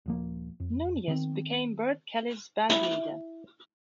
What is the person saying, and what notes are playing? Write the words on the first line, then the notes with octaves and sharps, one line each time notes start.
Nunez became Bert Kelly's bandleader.
D#1 F3 A#3
F2
D#3 B3 C4
E4